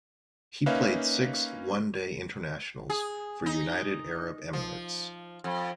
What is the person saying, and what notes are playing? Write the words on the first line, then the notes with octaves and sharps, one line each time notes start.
He played six One Day Internationals for United Arab Emirates.
A#3 C#4 D#4 B4 E5 F5
G#4
D#4
F3
F2